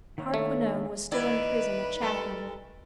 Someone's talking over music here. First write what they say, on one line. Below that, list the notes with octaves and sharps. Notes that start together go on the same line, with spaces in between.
Hardquanonne was still in prison at Chatham.
D#3 A#3 D4 C#5 E5
A3
D#3 E4 B4 D5
G3 A4 A#4